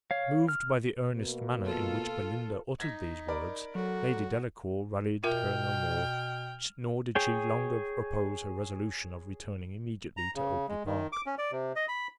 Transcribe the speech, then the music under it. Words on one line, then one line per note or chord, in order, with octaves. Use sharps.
Moved by the earnest manner in which Belinda uttered these words, Lady Delacour rallied her no more, nor did she longer oppose her resolution of returning immediately to Oakly-park.
C#5 F5
F6
B2 A#3
F4 A4
D#4 G#6 A#6 B6
A#4 D5 B5
F#3 F#4 A4
B2 F4 A#4 E5 G5 F6
G#4 C#5 G5
A#5
C#3
G#3
D#3
D6
C#4
D5
C3
D#5
B5